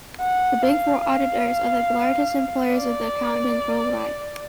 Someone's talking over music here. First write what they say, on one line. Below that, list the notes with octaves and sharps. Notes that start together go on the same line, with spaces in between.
The Big Four auditors are the largest employers of accountants worldwide.
F#5
F5
F5
D5